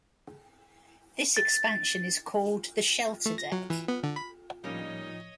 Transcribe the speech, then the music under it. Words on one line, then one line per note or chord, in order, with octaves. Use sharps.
This expansion is called the shelter deck.
A6
A3
A#6
F#3
E3
B3
D3
B5
A2 F3 G3 A#3 C#4 D#4 C#5 D#5